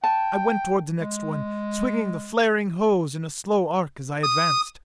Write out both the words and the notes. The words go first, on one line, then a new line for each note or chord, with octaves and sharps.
I went toward the next one, swinging the flaring hose in a slow arc as I advanced.
G5 A5
G#3
D#6